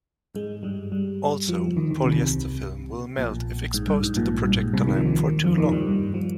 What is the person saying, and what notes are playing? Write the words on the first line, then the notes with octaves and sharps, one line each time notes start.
Also, polyester film will melt if exposed to the projector lamp for too long.
G#2 G#3
G2 G3
G2 G3
F2 F3
D#2 D#3
D#2 D#3
C2 C3
A#1 A#2
G#2
G2
G#2
A#1 A#2
G2
G#2
C2 C3
D#3
F3
D#2 D#3
F2 F3
D#2 D#3
G2 G3
G2 G3
F3